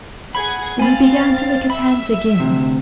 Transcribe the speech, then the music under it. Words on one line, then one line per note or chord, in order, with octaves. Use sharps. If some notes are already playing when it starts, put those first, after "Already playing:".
Then he began to lick his hands again.
G#4 F#5 B5 G#6
C4 F5 G#5 B5 A6
E5 B5 E6
D2 G#2 C3